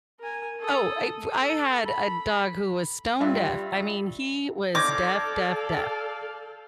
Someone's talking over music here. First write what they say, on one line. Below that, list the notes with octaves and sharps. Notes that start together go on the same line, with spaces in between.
Oh, it w I had a dog who was stone deaf. I mean, he was deaf, deaf, deaf;
A#4 G#5
A4 D#6
A4
B5
G2 G3 F4 E5
A4 D5 F5 D6 G6 G#6 A#6